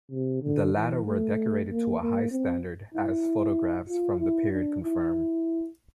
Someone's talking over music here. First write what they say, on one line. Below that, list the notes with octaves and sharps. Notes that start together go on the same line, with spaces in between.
The latter were decorated to a high standard, as photographs from the period confirm.
C3
D3
E3
A3
A#3
A#3
C4
E4
F4
E4
D4
E4